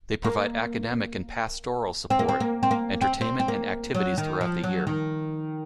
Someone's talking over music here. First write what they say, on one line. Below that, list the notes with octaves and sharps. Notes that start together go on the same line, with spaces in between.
They provide academic and pastoral support, entertainment and activities throughout the year.
A#3
C4
A#3
C4
A#3
C4
A#3
C4
C4
C4
A#3
F#3
D#3
F3
F#3
D#3